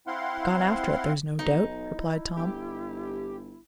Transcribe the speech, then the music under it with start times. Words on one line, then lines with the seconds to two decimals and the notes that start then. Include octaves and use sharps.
"Gone after it, there's no doubt," replied Tom.
0.07 C4 E4 F5 F#5 C6
1.39 B1 D#4
1.92 E4
2.37 G1 G4